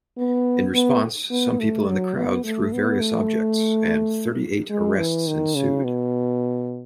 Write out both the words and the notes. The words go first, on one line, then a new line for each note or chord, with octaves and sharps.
In response, some people in the crowd threw various objects, and thirty-eight arrests ensued.
B3
B3
B3
A3
F#3
B3
A3
B3
A3
G#3
E3
D#3
C#3
B2